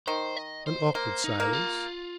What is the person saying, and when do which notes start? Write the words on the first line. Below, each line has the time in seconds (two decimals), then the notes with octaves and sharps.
An awkward silence.
0.07 D#3 C5
0.36 D#5
0.67 C5
0.95 A#3 C5
1.24 D#4
1.40 A#3
1.53 F4